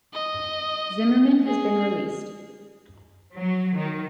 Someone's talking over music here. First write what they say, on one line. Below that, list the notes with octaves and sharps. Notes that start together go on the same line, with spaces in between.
Zimmermann has been released.
D#5
G#4
F#3
D#3